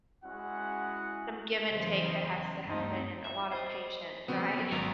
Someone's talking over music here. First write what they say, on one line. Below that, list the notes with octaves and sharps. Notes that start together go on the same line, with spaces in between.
some give and take that has to happen and a lot of patience, right?
G#3 C#4 E4 F#4 F#5
E2 C#3 E3 F#3 C5 D#5
D2 G2 C4 D#4
E5
C5 D#5
C#3 F3 A3 B3 C4 F#4
F#3 C#4
G#1 F#3 A#4